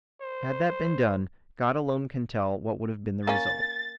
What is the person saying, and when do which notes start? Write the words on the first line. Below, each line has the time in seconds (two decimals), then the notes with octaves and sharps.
Had that been done God alone can tell what would have been the result.
0.21 C5
3.27 A#3 C#4 A6